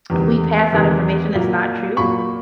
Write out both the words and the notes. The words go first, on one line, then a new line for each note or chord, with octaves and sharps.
We pass out information that's not true,
E2 C3 D#3
E2 C3 D#3
A#2 F#3 A#3
A#2 F#3 A#3 B5 C#6